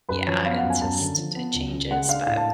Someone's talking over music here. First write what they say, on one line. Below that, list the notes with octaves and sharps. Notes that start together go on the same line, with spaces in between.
yeah, it just it changes, but
F#2 B4
F3 C#5
B3 F5
F#5
F#2
G#5
F#2 A5
D3
F3
B3
C#2
C#3
G#3 F#5
D4 F5
A2 F5
A5